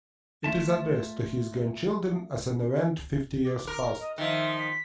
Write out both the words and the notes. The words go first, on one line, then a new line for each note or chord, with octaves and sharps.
It is addressed to his grandchildren as an event fifty years past.
A3 F4 E5 A5
D6
A#4
D#5
D#3 F3 E5
B6